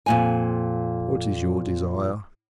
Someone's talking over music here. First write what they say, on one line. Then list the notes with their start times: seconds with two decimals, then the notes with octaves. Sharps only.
"What is your desire?"
0.06 F2 A#2 G#5